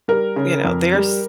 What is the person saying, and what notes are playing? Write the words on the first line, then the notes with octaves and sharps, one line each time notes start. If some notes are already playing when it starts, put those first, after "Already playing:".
you know, their s s
G3 A#4
C#3
F2
G3